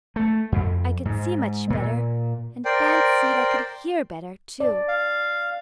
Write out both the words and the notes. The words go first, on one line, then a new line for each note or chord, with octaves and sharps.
I could see much better, and fancied I could hear better too.
A3
F2
G#2
A#2
A#4 C5 D5 G5
D5
F5